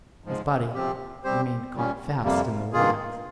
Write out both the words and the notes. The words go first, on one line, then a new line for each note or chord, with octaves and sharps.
His body remained caught fast in the wax.
G#2 F3 G#3
C3 F3 C4 G4
G3 C4 G4 C5
A#2 G3 C#4
F2 C3 G3 A#3
G2 D#3 A#3 F4 G#4